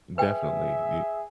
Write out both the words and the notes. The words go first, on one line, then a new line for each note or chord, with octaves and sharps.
definitely, the
G#4 B4 E5 G5